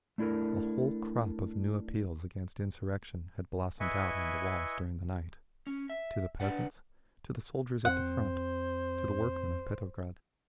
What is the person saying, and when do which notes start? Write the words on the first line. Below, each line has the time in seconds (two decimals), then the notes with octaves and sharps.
A whole crop of new appeals against insurrection had blossomed out on the walls during the night--to the peasants, to the soldiers at the front, to the workmen of Petrograd.
0.18 A3 D4 E4 A4 A#4
3.80 E4 B4 D#5 E5 G#5 C#6
5.67 C#4
5.90 E5
6.40 D4 B4 D5 F#5
7.85 F2 C4 C5 F#5